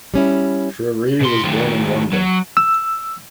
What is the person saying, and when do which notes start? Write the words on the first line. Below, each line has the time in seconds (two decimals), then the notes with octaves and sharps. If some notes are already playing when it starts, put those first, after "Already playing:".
Frere was born in London.
0.14 G3 C#4 E4
1.21 B2 C6
1.44 D#3 A3
2.13 F#3
2.57 E6